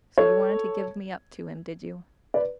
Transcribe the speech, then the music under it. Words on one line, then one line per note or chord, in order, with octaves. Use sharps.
So you wanted to give me up to him, did you?
A4 C#5
B4 D5